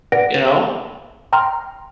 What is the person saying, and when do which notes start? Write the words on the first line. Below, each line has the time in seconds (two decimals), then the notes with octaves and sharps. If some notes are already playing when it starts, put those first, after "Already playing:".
you know?
0.12 B4 D5 F#5 A#6 D7
1.33 G5 A#5 C6 F6